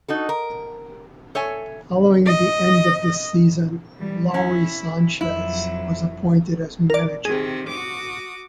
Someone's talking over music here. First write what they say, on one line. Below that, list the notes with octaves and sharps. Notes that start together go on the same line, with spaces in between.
Following the end of the season, Lawrie Sanchez was appointed as manager.
D#4 F#4 A4
A#4
A4 C#5 E5 G#5
D#5
E3 G3
C#4 E4
F2 F#3 E4
A#4 D5
C3 D#3 G#4
F#4 D6 D#6